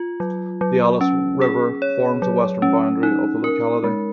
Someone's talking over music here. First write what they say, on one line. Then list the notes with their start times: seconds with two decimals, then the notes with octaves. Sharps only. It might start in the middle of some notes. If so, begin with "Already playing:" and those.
The Alice River forms the western boundary of the locality.
Already playing: F4
0.20 F#3
0.61 F#3
1.01 C#4
1.42 G#4
1.82 C#5
2.22 F#3
2.62 C#4
3.03 D#4
3.44 A#4
3.84 G#3